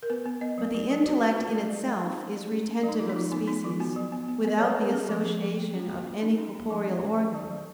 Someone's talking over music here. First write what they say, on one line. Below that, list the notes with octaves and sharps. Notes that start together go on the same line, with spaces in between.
But the intellect in itself is retentive of species, without the association of any corporeal organ.
A#4
B3 B4
B3
B3 D#5
F#3
F#3
F#3
F#3 F#4
C#4 F#4
A#3 F4
F#3
F#3
F#3
C#4 D#4
C#4
F#3
C#4
C#4
F#3
D#4
F3 F4
D#4
F3 F4
B3 D#4
B3 D#4
F3 F4
B3 F#4
F#3
B3
B3
B3 D#5
F#3 C#5
B4
B3 A#4
C#4 G#4
F3
F3
F3
A#3
C#4
F4
A#3 F#4
A#3
C#4 D#4
C#4 D#4
A#3
F3
C#4
C#4
C#4
F#3
F#3